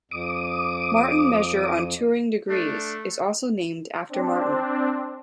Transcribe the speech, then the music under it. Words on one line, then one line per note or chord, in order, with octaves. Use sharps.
Martin measure on Turing degrees is also named after Martin.
F2 D6 D#6
A3 D4
C4 D4